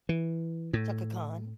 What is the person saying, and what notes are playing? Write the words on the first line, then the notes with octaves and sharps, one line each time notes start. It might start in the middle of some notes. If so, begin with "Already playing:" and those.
Chaka Khan.
E3
A2